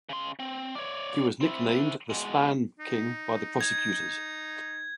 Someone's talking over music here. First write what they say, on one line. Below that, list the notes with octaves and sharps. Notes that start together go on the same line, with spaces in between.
He was nicknamed the "Spam King" by prosecutors.
C#3 C6
C4
C#5 D5
C4 E4
B2 G#3
D#4
G#6